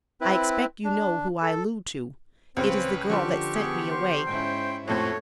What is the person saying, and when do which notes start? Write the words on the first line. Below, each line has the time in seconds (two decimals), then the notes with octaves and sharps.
I expect you know who I allude to, it is the girl that sent me away.
0.21 C4 E4 B4
0.84 D4
1.42 A4
2.57 C#2 C#3 C4 C#4 B4
3.10 D3 F3 G4 C6 C#6
3.55 B3 G#4
3.91 C5
4.26 G#2 C#4 E4 G5
4.88 F2 A2 A3 F#4 C5 C#5